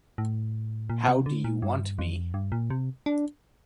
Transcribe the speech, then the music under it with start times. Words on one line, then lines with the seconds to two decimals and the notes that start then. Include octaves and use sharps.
How Do You Want Me?
0.18 A2
0.90 A#2
1.08 C3
1.26 D3
1.44 A#2
1.62 G2
1.99 F2
2.34 G2
2.52 A#2
2.70 C3
3.06 D4